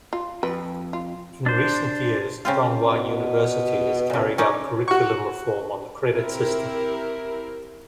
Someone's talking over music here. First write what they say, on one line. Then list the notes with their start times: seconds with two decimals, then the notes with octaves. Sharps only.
In recent years Donghua University has carried out curriculum reform on the credit system.
0.13 F4
0.43 F2 B4
0.93 F4
1.46 D4 C5
2.45 C#3 C4 F4
2.87 B2
4.10 A#2 C#3
4.38 C#4 D#4 D5
4.88 F#4 C#6
6.11 C4 E4 G4 A#4